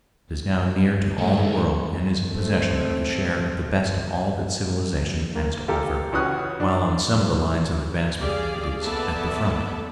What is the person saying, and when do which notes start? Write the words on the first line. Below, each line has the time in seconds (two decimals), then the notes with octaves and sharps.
It is now near to all the world and is in possession of a share of the best of all that civilization has to offer, while on some of the lines of advancement it is at the front.
1.18 G#2 D#3 A3
2.32 A3 C4
5.35 A#3
5.68 F4 G4 A4 A#4
6.12 C#2 E3 C#4 F#4 D#6 F#6
6.60 D4
8.19 G4 G#4 D5 F5
8.82 A#3 B3 A4 D5 E5 A5